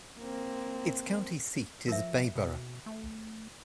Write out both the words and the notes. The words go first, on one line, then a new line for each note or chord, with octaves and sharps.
Its county seat is Bayboro.
A#3 C4
F3 A#4 E5
B2
A3